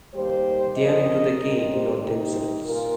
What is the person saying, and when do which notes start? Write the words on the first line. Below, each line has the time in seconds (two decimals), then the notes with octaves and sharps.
They're into the game, not themselves.
0.14 D#2 D#3 G3 A#3 G4 C5
0.76 F2 F3 C4 A#4 D#5
1.39 D#2 D#3 G3 C4
1.70 G4 C5
2.01 C3 D#3 G3 C4 D#4 G4
2.64 A#2 F4 A#4